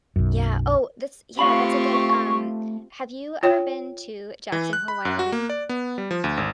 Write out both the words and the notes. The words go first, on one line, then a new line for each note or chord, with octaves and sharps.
Yeah oh, this yeah, that's a good, um have you ever been to Jackson Hole, Wyoming?
B1 F#2
A3 C4 F4 G4 F5 B5 C#6
F4 C#5 G5
E3
F#6
B5
F#2
F#4
A#3
D5
B3
G3
F3
D2
G#1